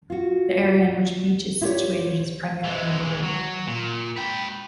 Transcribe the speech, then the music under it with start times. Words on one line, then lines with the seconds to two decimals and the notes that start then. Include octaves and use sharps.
The area in which Beech is situated is primarily rural.
0.10 F4 F#4
1.62 E4 F4 G4 A#4 C#5 D5
2.64 E3 G#3
3.23 F#3
3.67 A#2
4.16 B4 G5